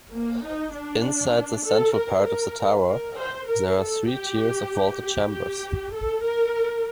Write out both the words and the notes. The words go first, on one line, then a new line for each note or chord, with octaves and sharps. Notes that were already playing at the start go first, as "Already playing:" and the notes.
Inside the central part of the tower there are three tiers of vaulted chambers.
A#3
D#4
D4
A4
A#4
A#4
A#4
C5
A#4
A4
G4
G4
G4
A4
A#4